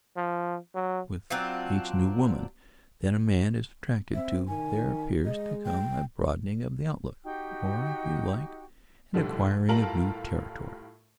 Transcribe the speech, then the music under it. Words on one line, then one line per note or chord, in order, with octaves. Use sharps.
With each new woman that a man is attracted to there appears to come a broadening of the outlook, or, if you like, an acquiring of new territory.
F3
F#3
F#3 C4 D4 F4
C4 E5
D#3 G#5
G#3 D#5
G5
D#4 F#4 G4 G5
B1 A2 D3 F3 G3
A2 G3 F4 A#4 A5 F#7